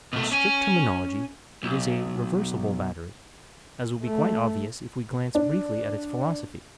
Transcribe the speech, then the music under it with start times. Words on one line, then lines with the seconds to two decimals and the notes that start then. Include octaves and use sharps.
In strict terminology it is a "reversible" battery, as will be quite obvious if we glance briefly at its philosophy.
0.13 B2 A3
0.32 C#4 G#5
1.63 B1
4.03 A3
5.35 D4